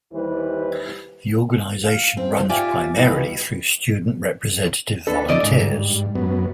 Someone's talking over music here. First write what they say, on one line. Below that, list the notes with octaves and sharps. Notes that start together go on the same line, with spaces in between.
The organization runs primarily through student representative volunteers.
D#2 E3 G3 E4 B4 C5
F5
C4
F4 G4 D5 E5 G#5
D#2 B2 E3 G3 B4
D4 A4 B4
D2 E4 D5 D#5
G#2
G2
F#2 B3